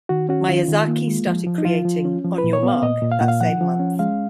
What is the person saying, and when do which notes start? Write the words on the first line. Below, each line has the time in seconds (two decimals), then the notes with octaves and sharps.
Miyazaki started creating "On Your Mark" that same month.
0.09 D#3 F#4
0.29 C#4 F#4
0.49 D#3 F4
0.68 D#3
0.88 A#3
1.07 G#3
1.27 F3
1.47 F3
1.58 D#4
1.65 F3 F4
1.85 F3
2.05 C#4
2.25 F3
2.38 B4
2.44 A#2
2.53 C#5
2.63 B3
2.68 F5
2.82 A#2 D#5
3.02 A#2
3.12 F5
3.20 A#2 F#5
3.28 F5
3.41 F3 F#5
3.61 F3
3.79 C#4
3.99 G#3 F5